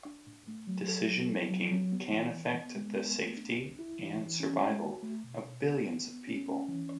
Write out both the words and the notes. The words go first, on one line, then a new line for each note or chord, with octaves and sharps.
Decision-making can affect the safety and survival of billions of people.
D4
A2
A3
F#3
A4
F#3
E4
F#3
F#3
B3
E3
E3
B3
G#3
B3
A3
D4
C#2
E4
E3
E3
C#4
G#3
F#4
A3
B2
B2
B3
B3
B3
C#4
C#4
E3